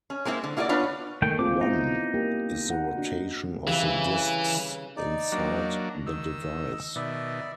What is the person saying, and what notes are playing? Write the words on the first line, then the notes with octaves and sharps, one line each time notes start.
One is the rotation of the disks inside the device.
C#4
G#3 A#3 C4 E4
D3
A#3 E4 F#4 B4 D5
B3 D4 F4 B4 C#5
D#3 A3 A#3 G5
C4 F4 G#4 D6
B3 D#4 E4
A#3 G4
F#5
D4 F#4
C#3 E3 G3 C4
D#4 D5
F#3 A#3 D4
D#3 E6
B2 D#3 D5 E5